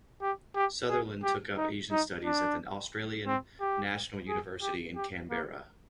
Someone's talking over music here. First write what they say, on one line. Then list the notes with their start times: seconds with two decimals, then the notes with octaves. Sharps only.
Sutherland took up Asian studies at the Australian National University in Canberra.
0.22 G4
0.55 G4
0.89 G#4
1.23 G4
1.57 D#4
1.91 D#4
2.25 D4
3.27 C4
3.61 G4
4.29 G#4
4.62 G4
4.96 G4
5.30 A#3